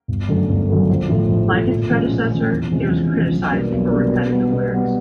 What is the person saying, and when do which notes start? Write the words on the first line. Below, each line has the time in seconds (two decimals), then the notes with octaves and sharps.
Like its predecessor, it was criticized for repetitive lyrics.
0.08 G1
0.29 F#2 D3 F#3 A3
0.49 G1
0.70 F#2 D3 F#3 A3
0.89 A#1
1.09 A2 F3 A3
1.30 A#1
1.49 A2 F3 A3
1.70 A#2
1.90 F3 G#3 C#4
2.10 A#2
2.31 F3 G#3 C#4
2.51 E2
2.70 C3 F3 G#3 C#4
2.90 E2
3.11 C3 F3 G#3 C#4
3.31 B1
3.52 B2 G3 A#3 D4
3.72 B1
3.91 B2 G3 A#3 D4
4.11 B2
4.32 G3 B3
4.52 B2
4.73 G3 B3